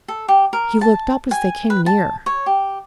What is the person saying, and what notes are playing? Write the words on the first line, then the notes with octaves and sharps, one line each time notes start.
He looked up as they came near.
A4
G4
A#4
A5
G#5
B4
A5
C#5
G4